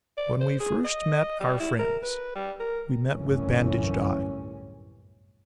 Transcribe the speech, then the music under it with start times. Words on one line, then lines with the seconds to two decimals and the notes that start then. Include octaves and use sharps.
When we first met our friends we met with bandaged eyes.
0.18 D5
0.40 C5
0.60 G#4
0.85 D#5
1.40 G3
1.60 E4
1.79 A#4
2.03 B4
2.35 G3
2.60 A#4
3.09 G1 C2 F#2 A2 E3 C#4